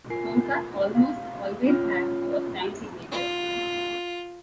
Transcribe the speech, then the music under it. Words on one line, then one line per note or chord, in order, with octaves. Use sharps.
Polkas almost always have a time signature.
F4 A#4 G#5 C7
F#4 F5
C#4 F4 C#5 F6
F4